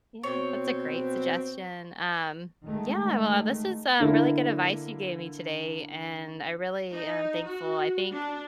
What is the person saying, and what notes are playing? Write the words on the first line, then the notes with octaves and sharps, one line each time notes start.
Yeah. That's a great suggestion. Um, yeah. Well, this is, um, really good advice you gave me today, and I really am thankful. I think
B2 C4 C#5
D#3 G#3 A3
D3 A#3 E4
D#4
F#4
D4